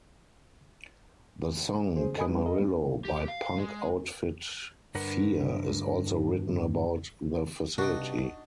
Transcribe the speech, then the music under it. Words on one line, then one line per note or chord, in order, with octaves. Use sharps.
The song "Camarillo" by punk outfit Fear is also written about the facility.
C#4 G#4 C5
A4 D#5 G#5 B5 D#6
G3 C#4 E4 B4
A4 A#4 D#5
G3 A3 C4 D4
G4
F5
G#3
G2 D3 D4 A#4 B4 F#5
G2 C3 D4 D#4 F#4